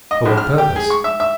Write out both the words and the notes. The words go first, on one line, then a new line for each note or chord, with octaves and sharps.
"For what purpose?"
D#5
A#1
F6
G4
G#4
C#6
E5
E5